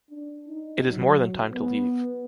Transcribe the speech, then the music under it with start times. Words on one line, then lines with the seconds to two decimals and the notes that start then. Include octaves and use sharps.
It is more than time to leave.
0.10 D4
0.48 D#4
0.88 F#3
1.51 B3